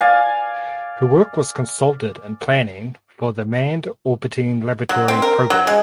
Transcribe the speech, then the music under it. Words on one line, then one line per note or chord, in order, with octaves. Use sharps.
Her work was consulted in planning for the Manned Orbiting Laboratory Program.
D5 F5 G#5
F#3
C4
A#4
F#3
G#3